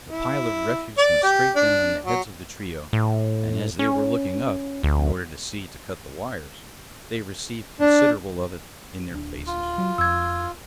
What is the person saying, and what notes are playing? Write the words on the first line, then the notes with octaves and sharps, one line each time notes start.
The pile of refuse went straight down on the heads of the trio, and, as they were looking up, in order to see to cut the wires, they received considerable of it in their faces.
E4
D5
G4
D4
F#3
A2
C#4
D2
D4
D1 D4
F4
F#3
F2 E6 G#6